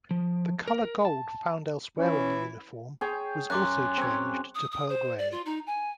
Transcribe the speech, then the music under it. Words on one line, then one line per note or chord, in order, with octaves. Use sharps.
The colour gold found elsewhere on the uniform was also changed to pearl-grey.
F3
A#4
A5
E3 C#4
G#4 C#5 G5
F#2 C6 D6 F#6
C4 C#5
D#6
D#6
C5
D5
F4
D#4
G#5